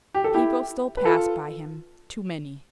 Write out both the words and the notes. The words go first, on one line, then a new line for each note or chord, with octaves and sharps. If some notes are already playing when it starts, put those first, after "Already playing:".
People still passed by him--too many.
G4
A4
E4 G4
B4
F4 A4